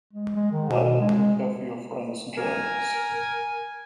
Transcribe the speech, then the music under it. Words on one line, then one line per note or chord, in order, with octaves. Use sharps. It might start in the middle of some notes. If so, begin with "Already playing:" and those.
Why don't you have your friends join us?
G#3
G#3
D#3
B2
G#3
A#4 G#5